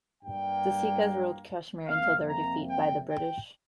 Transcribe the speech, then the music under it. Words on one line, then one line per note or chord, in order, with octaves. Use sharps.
The Sikhs ruled Kashmir until their defeat by the British.
G2 G3 A#3 G5
F2 C3 A#3 F5
A#5
G5
G5